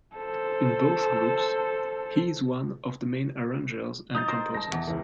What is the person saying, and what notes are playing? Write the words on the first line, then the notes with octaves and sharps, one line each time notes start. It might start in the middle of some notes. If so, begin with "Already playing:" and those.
In both groups, he is one of the main arrangers and composers.
A4 C5
D#4 D#6 G6 A6
A#4 C5
A5 A#6
E2
C#2 E3